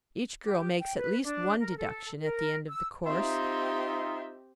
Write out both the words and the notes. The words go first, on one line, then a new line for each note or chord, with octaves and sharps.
Each girl makes at least one deduction at the end of the course.
G4
G5
B4
D4
A#4
A4
A#4
E6
C4 D#4 F4 G4 E5